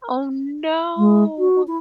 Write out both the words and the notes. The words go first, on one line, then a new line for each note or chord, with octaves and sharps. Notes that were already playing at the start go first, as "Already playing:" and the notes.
Oh, no.
G#3
F#4
E4